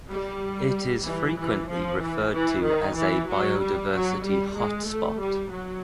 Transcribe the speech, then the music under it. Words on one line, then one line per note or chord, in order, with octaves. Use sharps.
It is frequently referred to as a biodiversity hotspot.
G3
E3
E3
F3
E3
E3
D#3
E3
F#3
G3
F#3
G3
G#3
A3
G3
F#3